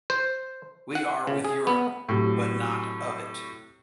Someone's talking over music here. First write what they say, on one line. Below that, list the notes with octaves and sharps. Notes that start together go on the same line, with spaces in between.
We are with Europe, but not of it.
C5
F#5
C#3
G#4
B3
A2 C3 F#3